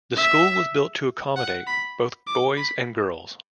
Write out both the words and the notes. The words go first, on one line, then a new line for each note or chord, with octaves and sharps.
The school was built to accommodate both boys and girls.
E5
F#5
B5
D6
B5